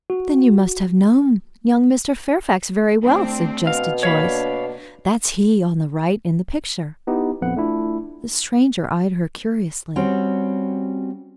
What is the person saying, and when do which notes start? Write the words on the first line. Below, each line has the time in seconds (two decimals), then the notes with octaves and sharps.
"Then you must have known young Mr. Fairfax very well," suggested Joyce. "That's he, on the right in the picture." The stranger eyed her curiously.
0.10 F#4
3.01 D2 C4 D4
3.67 B2 F5
4.03 A#3 D4 C#5 F5 B5
7.07 B3 D#4 E4 G4
7.41 A#1 F2 B3 F#5
7.57 A3 D4 E4 F4
9.96 G3 C4 C#4 F#4